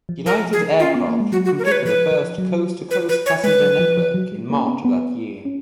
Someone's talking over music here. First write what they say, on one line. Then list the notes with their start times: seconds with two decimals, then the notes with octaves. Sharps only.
United Aircraft completed the first coast-to-coast passenger network in March of that year.
0.09 F3
0.26 F3 A#4
0.53 G#4
0.79 F4
0.83 C#4
0.95 B3
1.08 A#3
1.20 G#3
1.32 F#3 F#4
1.45 F#4
1.59 A#4
1.65 C#5
1.72 B4
1.85 F3 B4
2.11 F3
2.38 F#3
2.91 B4
3.09 B4
3.26 C#5
3.44 G#3 B4
3.62 F#3
3.79 F3
3.97 F3
4.14 F#3
4.32 G#3
4.50 A#3
4.59 C#4
4.68 B3
4.85 B3
5.45 C#4